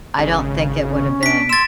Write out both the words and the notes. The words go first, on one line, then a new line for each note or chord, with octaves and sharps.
I don't think it would've been,
G#1 C#3
C#4
D4 B6 D7
C6 E6 G#6 A6 E7